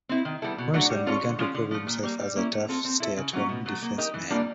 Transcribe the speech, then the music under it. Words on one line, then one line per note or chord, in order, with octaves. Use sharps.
Morrisonn began to prove himself as a tough, stay-at-home defenceman.
C4 E4
D#3
G3 B3 E4 A4
B2
F#3 A3 D4 F#4
G3
C4 F4 A4 C#5
D3
F3 G#3 C#4 F4
D3
F3 A3
A#2
G3 A#3
G3
A#3 C#4 E4
A3
C4 F4 A4
C4
E4 A4 C5 E5
C#3
F#3 A#3 C#4 F4
B2
F#3 A3
A#3
D#4 G4 A#4 D#5
E3
G3 A#3 D4 F4